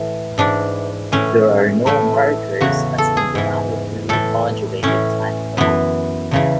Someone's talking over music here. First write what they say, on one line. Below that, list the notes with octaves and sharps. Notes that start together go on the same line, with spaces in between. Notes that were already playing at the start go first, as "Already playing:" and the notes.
There are no markers as in the amplitude modulated time code.
Already playing: A2 E3
G#2 E3 D4
A2 E3 C#4
A2 E3 A3
E2 C#3 E3 F#4
A4
G#4
G#2 E3
A2 E3 A4
A2 E3 C#4
F#2 E3 B3
E2 C#3 E3